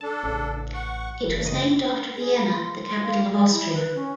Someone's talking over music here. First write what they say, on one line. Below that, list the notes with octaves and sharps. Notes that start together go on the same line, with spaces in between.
It was named after Vienna, the capital of Austria.
D4 A4 A5
A1 C#3
F#5 C#6
F#1 G2 E3
C#3 D#5
G#4
B5
C6
C6
F5
D5
E4
B4
C#4